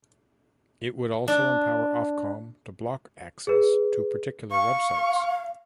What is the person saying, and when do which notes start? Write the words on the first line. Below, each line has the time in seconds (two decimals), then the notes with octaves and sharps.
It would also empower Ofcom to block access to particular websites.
1.28 D4
3.47 G#4 B4
4.51 F5 C#6